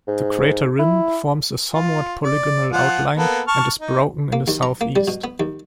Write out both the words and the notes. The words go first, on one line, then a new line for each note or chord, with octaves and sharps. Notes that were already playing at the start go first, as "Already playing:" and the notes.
The crater rim forms a somewhat polygonal outline, and is broken in the southeast.
G#2
E4
F4
D5
F3 F4 F#5
A#3 B3 A4
A5 C#6 F6
D#4
A#3
D#2
A#5
A#3
G3
B2
B3
D#2